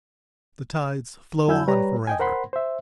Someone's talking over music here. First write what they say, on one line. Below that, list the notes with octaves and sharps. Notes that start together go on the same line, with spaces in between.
The tides flow on forever.
F2 F#3 E4 G#5 E6 G6
G3 B4 C#5 A#5
D#5 G5 G#5
A#4 C5 F#5 B5 C6
C5 E5